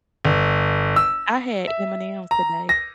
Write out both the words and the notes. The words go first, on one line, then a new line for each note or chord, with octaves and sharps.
I had M&M's today.
G1
E6
E5
A#5
A#6